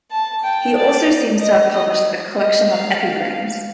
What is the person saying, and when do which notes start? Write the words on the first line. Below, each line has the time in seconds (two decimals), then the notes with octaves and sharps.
He also seems to have published a collection of epigrams.
0.11 A5
0.44 G5
0.76 D5
1.40 D#5
1.72 D#5
2.36 D#5
2.68 F5